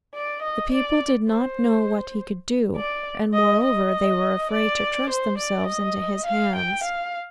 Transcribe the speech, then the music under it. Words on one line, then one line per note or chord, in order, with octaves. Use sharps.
The people did not know what he could do, and moreover they were afraid to trust themselves into his hands.
D5
D#5
D5
C5
D5
D#5
D#5
D5
C5
D5
D#5
F5
G5
F5